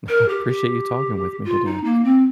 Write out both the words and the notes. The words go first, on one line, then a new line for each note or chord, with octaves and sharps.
I appreciate you talking with me today.
A#4
G4
G4
F4
D#4
A#3
C4